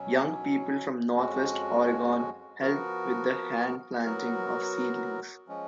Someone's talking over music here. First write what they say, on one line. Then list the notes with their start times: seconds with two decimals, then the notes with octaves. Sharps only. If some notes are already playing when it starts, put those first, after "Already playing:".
Young people from northwest Oregon helped with the hand-planting of seedlings.
Already playing: B2 F#3 C#4
1.13 F2 F3 G#3 C#4 F#4
2.59 F3 B3 F#4 A#4
4.04 F#3 B3 F#4 A#4
5.48 F3 G#3 C#4